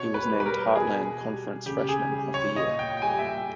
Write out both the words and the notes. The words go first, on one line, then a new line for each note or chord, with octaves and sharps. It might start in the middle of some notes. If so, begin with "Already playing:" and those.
He was named Heartland Conference Freshman of the Year.
Already playing: B2 C#5
B4
G3
B4
A#4
B2 G#4
G3
C#3 G4
G#4
G3
C#5
A#2 D#5
G5
G5
G3 G#5
E5
G5